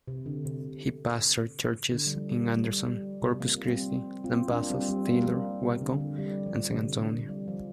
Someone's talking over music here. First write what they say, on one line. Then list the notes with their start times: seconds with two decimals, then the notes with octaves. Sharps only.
He pastored churches in Anderson, Corpus Christi, Lampasas, Taylor, Waco, and San Antonio.
0.08 C3
0.26 D3
0.45 C3
1.93 D3
2.06 G3
2.11 F3
2.30 G3
2.57 G3
2.85 G3
3.22 C3
3.40 F3 A#3
3.68 G3 C4
4.24 C4 F4
4.51 A#3 D4
4.70 G3 C4
4.89 G3 C4
5.07 A#3
5.16 G3
5.25 F3 A#3
5.63 C3
5.81 D3
5.99 D3
6.18 G3
6.46 F3
6.70 C3
6.74 D3
6.96 C3
7.02 D3
7.29 G3
7.48 F3